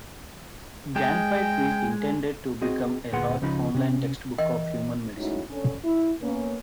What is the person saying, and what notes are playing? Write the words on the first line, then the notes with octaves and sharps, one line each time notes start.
Ganfyd is intended to become a large online textbook of human medicine.
G#3 G5
C4 F#4 G#4 D#5
D2 A#2 B3 G#4 F#5 C6
C#2 C#3 F3 D#4 B5
C3 C#4
E3 A#4 D#5 G5
G#3 A3 C#4 D#4 E4 F#4
D3 C#4
E4
A#3 B3 C#4